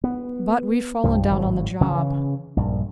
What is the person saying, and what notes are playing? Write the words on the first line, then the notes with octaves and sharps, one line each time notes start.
But we've fallen down on the job.
B3
C2 G2 F3
G#1 A2 F#3
C#3 E3 C#4
A#1 G2